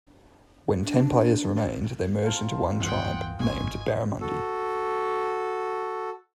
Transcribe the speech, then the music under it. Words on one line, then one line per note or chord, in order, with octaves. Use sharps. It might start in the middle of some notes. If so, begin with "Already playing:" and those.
When ten players remained, they merged into one tribe, named Barramundi.
D4
C4 F4 A#4 F5 A5
D1 G2 E3 B3 F4 G#4 F#5 G5
G#1 D#5 G#5 C#6
F#4 A4